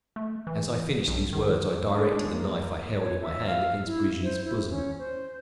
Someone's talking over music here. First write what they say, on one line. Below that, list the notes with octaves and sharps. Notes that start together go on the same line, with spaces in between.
As I finished these words I directed the knife I held in my hand against Brigitte's bosom.
A3
E3
B1
D#3
G#3 D4 G#4
A#3
C#5
E5
F5
E4
C5
E4
C#4
C5